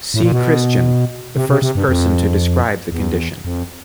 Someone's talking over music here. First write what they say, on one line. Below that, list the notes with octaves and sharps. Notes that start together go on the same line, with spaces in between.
C. Christian, the first person to describe the condition.
A2
A#2
B2
C3
C3
C3
G2
F2
E2
F2